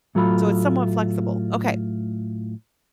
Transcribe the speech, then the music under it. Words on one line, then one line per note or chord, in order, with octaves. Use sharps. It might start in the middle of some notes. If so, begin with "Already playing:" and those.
so it's somewhat flexible. Okay.
A2 F#3 A3 F4 B5